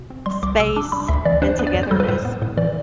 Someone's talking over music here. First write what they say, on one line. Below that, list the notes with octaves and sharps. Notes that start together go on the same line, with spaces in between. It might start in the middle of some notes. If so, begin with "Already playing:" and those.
space and togetherness,
Already playing: B2
C4
G3 C6
C2 D6
C3 E6
D4 D6
G3 B5
D2 E5
E3 D5
D4 C5
B3 B4
D5
F2
C5
G3 A4
B4
A2 C5
B3
A2
E3 D5